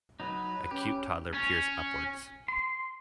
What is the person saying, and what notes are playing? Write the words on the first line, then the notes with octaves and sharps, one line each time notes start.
A cute toddler peers upwards.
F#3 D#4 B4
C#4 G4
C#4
C6